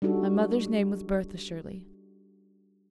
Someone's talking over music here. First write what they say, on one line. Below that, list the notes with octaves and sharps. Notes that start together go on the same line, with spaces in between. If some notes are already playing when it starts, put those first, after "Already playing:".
My mother's name was Bertha Shirley.
G3 D4 D#4 F#4 A4